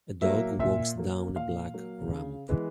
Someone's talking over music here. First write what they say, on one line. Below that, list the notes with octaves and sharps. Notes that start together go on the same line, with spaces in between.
A dog walks down a black ramp.
F#3 A#3 E5
A#2 E5
F#3 A#3
A#2 F5
F#3 A#3
C#3
E3 G#3 B3